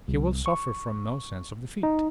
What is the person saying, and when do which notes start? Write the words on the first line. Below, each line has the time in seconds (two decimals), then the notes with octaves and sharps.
He will suffer from no sense of defeat.
0.08 C2
0.46 C#6
1.83 D#4